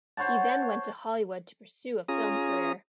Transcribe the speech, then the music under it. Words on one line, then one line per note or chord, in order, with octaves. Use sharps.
He then went to Hollywood to pursue a film career.
C5 C#5 F#5 A5
C#4 F4 G#4 A#5 D#6